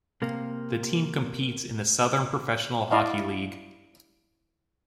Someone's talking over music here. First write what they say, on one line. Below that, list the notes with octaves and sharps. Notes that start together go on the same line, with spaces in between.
The team competes in the Southern Professional Hockey League.
C3 A#3
E4 D5 D#5 F5